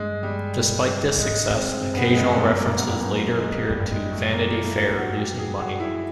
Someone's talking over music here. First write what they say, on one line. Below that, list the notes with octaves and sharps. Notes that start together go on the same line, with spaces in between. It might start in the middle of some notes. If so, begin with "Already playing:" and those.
Despite this success, occasional references later appeared to "Vanity Fair" losing money.
Already playing: G2 G#3
G3
G#2 G#3
G2 C4
F#2 C4
G2 B3
F#2
G2 G#3
F#2 A3
G2 A#3
F#2
G2
F#2 B3
G2
F#2
G#3
F#2 G3
G2
F#2 G#3
A3
A#3
F4
E4
F4
G2
F#2 F#4
G4
G#4
F#4
E4